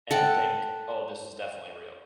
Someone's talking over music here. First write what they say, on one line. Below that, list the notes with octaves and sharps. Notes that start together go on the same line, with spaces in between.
and think, "Oh, this is definitely real."
A4 F#5 G5